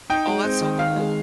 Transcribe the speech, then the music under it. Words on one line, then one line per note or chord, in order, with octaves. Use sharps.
Oh, that's so cool.
D#4 G5
G#3
C4
D#3
D#3 F5
G#3